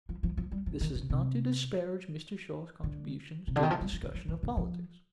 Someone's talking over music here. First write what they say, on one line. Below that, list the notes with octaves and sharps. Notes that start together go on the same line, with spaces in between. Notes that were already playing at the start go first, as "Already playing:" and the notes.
This is not to disparage Mr. Shaw's contributions to the discussion of politics.
F3
F3
F3
G3
F3
D#3
D3
C3
D3
C3
D3
D#3
F3
G3
F3
D3
F3
D#3
D3
F3